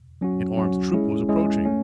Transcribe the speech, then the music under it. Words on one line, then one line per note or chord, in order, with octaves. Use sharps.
An armed troop was approaching.
F#3 C#4 F#4
F#3 C#4 F#4
G#3 C#4 E4 G#4
G#3 C#4 E4 G#4
A3 C#4